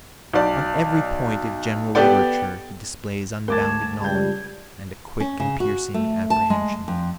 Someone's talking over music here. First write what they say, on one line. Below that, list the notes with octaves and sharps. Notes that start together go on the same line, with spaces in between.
On every point of general literature he displays unbounded knowledge and a quick and piercing apprehension.
B1 D5
B3 G4 A4 D5 G5
D2 A#4 C#5 A5 D6 A6
C#2 G3 A5 G6 G#6
C#4
C#3
F#4
A3
A5
G#3
F2